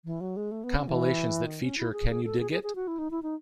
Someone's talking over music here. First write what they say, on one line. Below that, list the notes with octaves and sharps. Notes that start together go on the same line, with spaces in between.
Compilations that feature Can You Dig It?
E3
F#3
G#3
A3
B3
C#4
E3
D#3
C#4
E4
G#4
G#4
A4
G#4
G#4
G#4
F#4
E4
D#4
E4
D#4